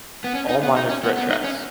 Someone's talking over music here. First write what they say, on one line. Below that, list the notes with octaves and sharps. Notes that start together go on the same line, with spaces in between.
All Minor Threat tracks.
B3
C#4
D#4
B3
D#4
C#4
B3
B3
D#4
C#4